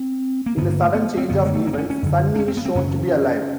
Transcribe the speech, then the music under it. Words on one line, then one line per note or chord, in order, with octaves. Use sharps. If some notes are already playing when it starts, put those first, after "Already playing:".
In a sudden change of events, Sunny is shown to be alive.
Already playing: C4
A#3
G2 D3 B3
A#3
A3
B3
C4
F#2 D3 B3
G#3
A3
A#3
C4
C#4
C#4
F#2 D3
D4
C#4
C4
B3
C4
F#2 C#3 C#4